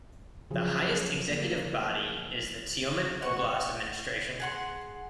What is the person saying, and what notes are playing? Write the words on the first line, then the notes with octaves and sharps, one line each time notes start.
The highest executive body is the Tyumen Oblast Administration.
C#3 F3 F#3 G#4
A#3
F#5 C#6
G#4 F#5 C6